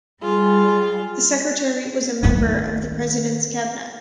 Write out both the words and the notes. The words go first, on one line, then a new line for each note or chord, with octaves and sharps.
The secretary was a member of the President's Cabinet.
G3 F4 G#4
D#3 A3